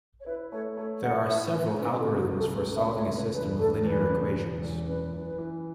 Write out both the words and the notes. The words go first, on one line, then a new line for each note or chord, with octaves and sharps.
There are several algorithms for solving a system of linear equations.
C#5
E4 B4
A3 C#5
A3 C#5
A3 F#5
A2 E5
E4 B4
C#4 B4
A4
C#3
F#4
C#2
A4
C#2 B4
E5
A3
C#5
C#3
B4
E1 B4
A3 A4
E2 B4
C#3
E1
E2
F#2 B4
E3
B4
E3